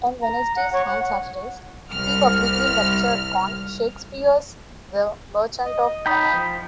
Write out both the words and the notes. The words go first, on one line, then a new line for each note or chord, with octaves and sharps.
On Wednesdays and Saturdays he publicly lectured on Shakespeare's The Merchant of Venice.
A#5
F#5
C#5
F#5
C2 F6
D#5
D#4 G5 B5 D#6
F3